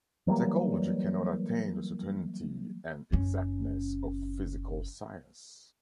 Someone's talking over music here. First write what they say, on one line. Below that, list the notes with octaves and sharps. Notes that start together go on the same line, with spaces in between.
Psychology cannot attain the certainty and exactness of the physical science.
E3 F#3 G3 A#3
F#1 C#4